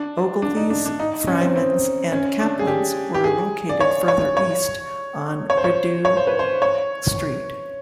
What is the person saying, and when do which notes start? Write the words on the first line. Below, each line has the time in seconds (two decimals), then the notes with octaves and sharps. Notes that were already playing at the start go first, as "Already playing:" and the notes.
Ogilvy's, Freimans and Caplan's were located further east, on Rideau Street.
Already playing: D4
0.42 D4
0.57 D#4
0.70 D4
0.86 D4
1.00 D#4
1.27 C#4
1.41 C4
1.56 C4
2.12 C#4
2.40 D4
2.59 G#4
2.67 G4
3.14 G4
3.24 G#4
3.69 D5
3.80 C#5
4.08 C#5
4.37 C#5
5.50 C#5
5.57 C5
5.64 C#5
6.05 C#5
6.17 C5
6.27 B4
6.39 C5
6.62 C#5